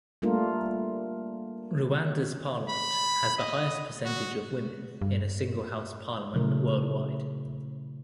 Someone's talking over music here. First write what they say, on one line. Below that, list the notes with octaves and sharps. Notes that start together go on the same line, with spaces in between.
Rwanda's parliament has the highest percentage of women in a single house parliament worldwide.
G3 A3 A#3 D4 F4 A#4
B5
D#5
F#4
G2
A#2 C#3 F#3 A3 E4 A#4